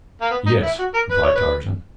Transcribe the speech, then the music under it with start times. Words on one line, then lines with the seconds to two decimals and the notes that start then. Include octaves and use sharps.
"Yes," replied Tarzan.
0.21 A#3
0.31 B3
0.47 D#4
0.63 E4
0.79 F#4
0.94 A#4
1.11 B4
1.23 C#5
1.36 B4